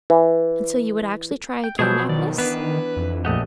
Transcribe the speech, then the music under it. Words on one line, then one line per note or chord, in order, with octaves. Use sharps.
'And so you would actually try again, Agnes?'
E3
G5
B2 F3 F#3 G#4 A5 G6
D#3 D5
E3 B3 D4 B4
F2
A#1 A3 G4 D#5 F#5